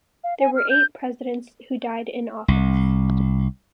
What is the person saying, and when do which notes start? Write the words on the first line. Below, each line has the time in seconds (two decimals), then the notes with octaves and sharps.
There were eight presidents who died in office.
0.24 F5
0.40 G#5
0.56 F6
0.70 G6
2.48 C2